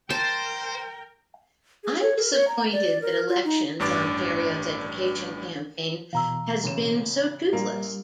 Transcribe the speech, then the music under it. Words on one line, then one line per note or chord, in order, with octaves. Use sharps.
I'm disappointed that Elections Ontario's education campaign has been so toothless.
A#4 C5 G5 A5
G#4
C#5
A#4
C#5
A#5
D5
A#4
F4
D#4
A1 G2 D4 D6 A6
B2 E3 F5 A#5 E6
A1 C#3 E7
A#1 A#2 G3 A#3 F4